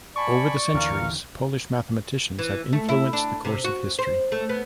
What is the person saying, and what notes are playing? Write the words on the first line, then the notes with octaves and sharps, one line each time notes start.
Over the centuries, Polish mathematicians have influenced the course of history.
D5 G#5 A5 B5 C#6
D#2 D3 E3 A#4 F5
E3
A3
E4
D4
C3
F#4
C5
A3
B3